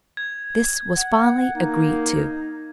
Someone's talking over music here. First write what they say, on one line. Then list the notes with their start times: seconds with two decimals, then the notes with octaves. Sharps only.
This was finally agreed to.
0.17 G#6
0.96 F#5
1.55 A#3 D#4